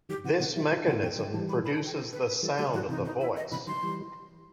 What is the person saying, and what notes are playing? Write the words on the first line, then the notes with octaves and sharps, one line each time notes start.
This mechanism produces the sound of the voice.
D#3 F#3 G4
C3 E3 F#5
B2 D#3 F#5
E3 G3 E5
D#3 F#3 D#5
C3 E3 F#5
B2 D#3 G5
D#3 F#3 G5
E3 G3 A5
B5
B5
A5
G5
C5
B4
B4
E3 G3 A4
F#3 A3 G4
E3 G3 F#4
C3 E3 D#4
D#4
E4
D#5
C3 E3 B5
D#3 F#3 C6
E3 G3